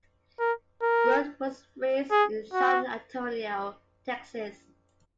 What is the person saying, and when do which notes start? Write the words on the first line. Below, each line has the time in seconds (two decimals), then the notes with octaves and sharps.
Grote was raised in San Antonio, Texas.
0.39 A#4
0.82 A#4
2.11 G#4
2.53 F#4